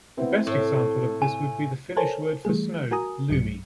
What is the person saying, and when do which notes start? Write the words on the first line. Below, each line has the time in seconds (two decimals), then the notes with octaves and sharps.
The best example of this would be the Finnish word for snow, "lumi".
0.18 B3 C4 E4
0.47 A2 A4
1.22 G#5
1.97 A4 A#4 C5 C#5 G#5 A5
2.45 E3 G3 A3 G#4
2.91 F#4 A#4 G#5 A#5 D#6
3.29 B1 G2 F#3 C#7